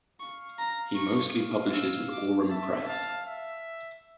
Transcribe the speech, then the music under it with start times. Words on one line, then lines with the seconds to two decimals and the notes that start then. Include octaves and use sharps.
He mostly publishes with Aurum Press.
0.20 F5 C#6
0.59 A#5
0.96 C#6
1.34 F5
1.73 E6
2.12 D6
2.49 E5 A5
2.87 F5 A5
3.26 E5